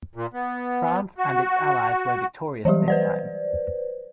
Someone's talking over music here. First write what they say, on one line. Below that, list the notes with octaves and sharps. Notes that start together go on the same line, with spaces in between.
France and its allies were victorious this time.
A#2
B3
F#4
E3 F#3 G3 G4
B4 C5 D5